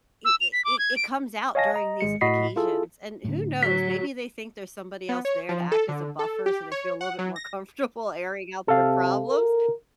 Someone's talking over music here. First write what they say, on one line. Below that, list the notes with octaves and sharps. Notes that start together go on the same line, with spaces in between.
i i i it comes out during these occasions, and who knows, maybe they think there's somebody else there to act as a buffer so they feel a little bit more comfortable airing out their problems,
E6
F7
B6
D6
G#6
D7
C#5 D#5 F5 G#5 A5 A#6
D#5 A#5
G#1 G#3 C#7
A2 F#4 D#5 B5 B6 C7
E4 F4 G#4 A4
A2 D3
F#3 B6
B3
C#5
F3
A4
D3
A4
G4
C#5
F#5
F#3
A#6
C3 A4 F5
A#4